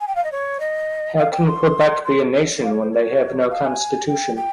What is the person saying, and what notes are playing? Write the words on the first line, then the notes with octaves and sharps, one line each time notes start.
How can Quebec be a nation when they have no constitution?
G#5
G5
F5
D#5
C#5
D#5
F5
G5
C6
C6
F5
C#5
C5
C#5
F5
G#5
G5
G5